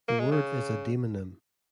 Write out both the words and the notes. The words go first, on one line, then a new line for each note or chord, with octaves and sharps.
The word is a demonym.
A#3
G#3
C#3